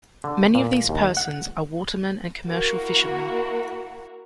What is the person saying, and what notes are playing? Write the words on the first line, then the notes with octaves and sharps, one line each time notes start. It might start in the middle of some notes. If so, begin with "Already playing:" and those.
Many of these persons are watermen and commercial fishermen.
D3
A#2
D#2
F#5
A#3 E4 F#4 A#5